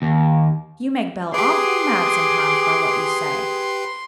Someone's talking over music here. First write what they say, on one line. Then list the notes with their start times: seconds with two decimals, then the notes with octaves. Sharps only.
You make Belle awfully mad sometimes by what you say.
0.02 D#2
1.34 G4 G#4 B4 C6 D6